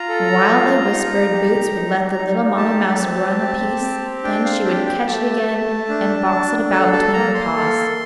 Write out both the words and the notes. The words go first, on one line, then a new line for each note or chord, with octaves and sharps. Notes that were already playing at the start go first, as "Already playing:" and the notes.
And while they whispered Boots would let the little Mamma mouse run a piece, then she would catch it again and box it about between her paws.
Already playing: F4 A#5
A4
F4
D#4
G4
D#4
D#4
G4 A5
C4
G4
C4
D4 G5
F5
G4 G5
G5
A3 A5
A3
D4
D4
A4 A5
A5
A#3 A#5
C6
A4